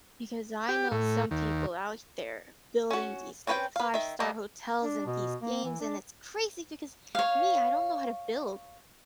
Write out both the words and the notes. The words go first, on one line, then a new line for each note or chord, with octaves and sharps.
because I know some people out there building these, like, five-star hotels and these games and it's crazy because me, I don't know how to build.
G4
A2
D#2
C#4 F#4
C4 C#4 B4 E5 G5
B4 F5
D#3 E5
G3 A#3 D#5
D4
B2
A#3
E3
D4
C#5 F5